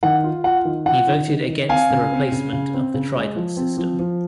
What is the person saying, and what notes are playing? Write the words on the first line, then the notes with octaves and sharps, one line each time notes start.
He voted against the replacement of the Trident system.
D#3 F#5
F4
F4 F#5
D#3
F4 F#5
D#3
D#3
D#3
C4 F5 G#5
C#3
C4
C#3
C#3
C4
C#3
G#3
F3
C4
F3
F3